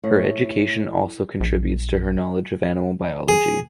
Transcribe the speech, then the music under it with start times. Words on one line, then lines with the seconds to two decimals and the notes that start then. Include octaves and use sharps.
Her education also contributes to her knowledge of animal biology.
0.04 A2
1.40 A#1
3.29 G#4